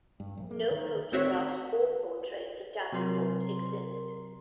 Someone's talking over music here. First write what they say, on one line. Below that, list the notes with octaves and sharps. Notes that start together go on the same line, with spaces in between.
No photographs or portraits of Davenport exist.
G2
A#1
A#3
D#3
A1 D#3 C4 F#4 C#5 E5
C3 F#3 A#4 C6